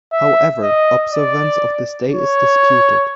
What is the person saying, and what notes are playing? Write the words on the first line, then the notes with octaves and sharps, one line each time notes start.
However, observance of this day is disputed.
E5
D#5
D5
C#5